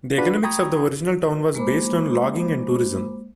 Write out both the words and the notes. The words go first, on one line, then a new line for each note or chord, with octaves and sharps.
The economics of the original town was based on logging and tourism.
D4 F4 F#4 B4 B5
G5 A#5 B5 C#6 D#6 G#6
G#3 A#3 C5 B5 D6